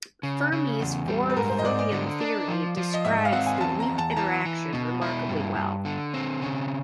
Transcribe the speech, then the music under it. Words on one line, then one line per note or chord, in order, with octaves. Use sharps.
Fermi's four-fermion theory describes the weak interaction remarkably well.
C#3
C#3
E2
G3
B4
G#2 A#4
C5
D#5
G#2 D5
D5
D3
D4
F3
F3
D#5
G#2 E5
F5
C4 F#5
G#5
E2 A5
A#5
E2
A5
A#5
E3 A5
E3
B2
E4
G2
G2
D3
C4
C#3